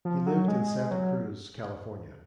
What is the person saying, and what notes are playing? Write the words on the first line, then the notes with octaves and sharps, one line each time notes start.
He lived in Santa Cruz, California.
F3
F#3
G#3
F#3